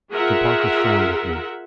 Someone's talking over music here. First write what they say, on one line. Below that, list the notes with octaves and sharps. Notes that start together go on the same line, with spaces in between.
Mr. Parker frowned at me.
F4 G#4 A#4 E5 F#5